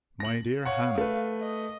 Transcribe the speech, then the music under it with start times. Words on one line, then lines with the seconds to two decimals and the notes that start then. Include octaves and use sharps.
"My dear Hannah!"
0.20 A#6 F#7
0.65 C#5 F5 F#5
0.98 A3 B4
1.41 D#5